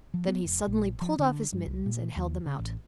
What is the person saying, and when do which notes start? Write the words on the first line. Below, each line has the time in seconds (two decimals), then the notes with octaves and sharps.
Then he suddenly pulled off his mittens and held them out.
0.14 F3
0.27 B3
0.45 F1
0.67 A#1
1.01 F3
1.19 D3
1.52 G2
1.66 C2
1.86 A#2
2.16 D#2
2.46 C#3
2.59 A1